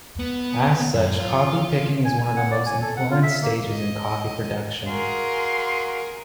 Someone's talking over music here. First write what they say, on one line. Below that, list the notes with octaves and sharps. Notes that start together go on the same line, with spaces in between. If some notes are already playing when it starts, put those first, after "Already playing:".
As such, coffee picking is one of the most important stages in coffee production.
B3
F#2
F4
G#5
G#5
F#5
D5
G#5
A4
F#5
F4
E5
A#3
D#5
F#4 G#4 A#4 F5 C6